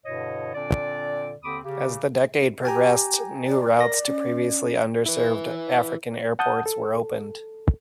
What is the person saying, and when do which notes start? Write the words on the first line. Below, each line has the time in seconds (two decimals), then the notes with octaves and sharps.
As the decade progressed, new routes to previously under-served African airports were opened.
0.05 G2 B2 D3 E4 C#5 D#5
0.54 A#2 D3 C4 D4 D5
1.44 D#2 D3 C4 B5 D6 D#6
1.64 C#3 G4
2.65 G4 G5 G#5 A#5
3.47 D5
3.79 A#4 A#6
4.08 C#4
5.06 E4 B4
6.39 F#5 A5 D#6 G6
6.66 A4